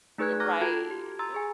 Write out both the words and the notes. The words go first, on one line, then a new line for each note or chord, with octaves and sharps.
Right, eh
A3 D#4 G#4 B4 F#6 G#6
A#5 D6 F6 F#6 G#6 A#6
F4 F#4 A4 G5 A5 G#6
G4
A#5 C6 E6 A6
G#4 G#5